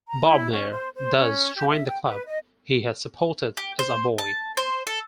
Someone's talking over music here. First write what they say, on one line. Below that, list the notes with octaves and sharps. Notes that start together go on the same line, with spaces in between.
Bodmer thus joined the club he had supported as a boy.
A#5
E4
C#4
C5
C5
C#4
G4
E5
G5
B4
D#5
G4
C5
A5
C5
A4